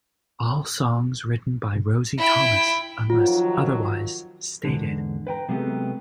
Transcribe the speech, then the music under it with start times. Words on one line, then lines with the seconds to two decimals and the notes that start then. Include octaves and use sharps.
All songs written by Rosie Thomas unless otherwise stated.
2.18 E4 G5
3.10 D#3 F3 F#3 F4
4.65 E2 G#2 D3
5.27 B4 G5 A#5
5.49 C3 F#3 G#3 A3 B3 G4